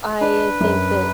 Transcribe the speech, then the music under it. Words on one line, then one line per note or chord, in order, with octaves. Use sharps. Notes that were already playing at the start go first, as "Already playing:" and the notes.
I think that
D4 B4
F#2